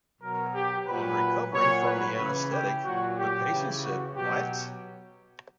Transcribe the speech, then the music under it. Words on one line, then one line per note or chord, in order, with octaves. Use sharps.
On recovering from the anaesthetic, the patient said What?
B2 F#3 A#4
G4
A#2 F#3 B4
A#2 F#3 C#5
B4
C#3 E3
G4
A#2 F#3 F#4
G4
C#3 E3
F#4
B2 F#3 G4